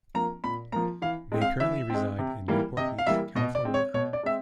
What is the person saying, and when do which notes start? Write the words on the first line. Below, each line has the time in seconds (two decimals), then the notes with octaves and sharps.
They currently reside in Newport Beach, California.
0.14 F3 A#3 A#5
0.44 A#2 B5
0.72 F3 A#3 A#5
1.02 E3 F5
1.32 G#3 C4
1.41 F5
1.60 E3 E5
1.90 G#3 C4
2.19 C3
2.48 E3 G3 A#3
2.77 C3 D#5
2.98 F5
3.07 E3 G3 A#3 E5
3.35 B2 D#5
3.55 D5
3.65 G#3 C4
3.74 C#5
3.94 B2 C#5
4.13 D5
4.23 G#3 C4 E5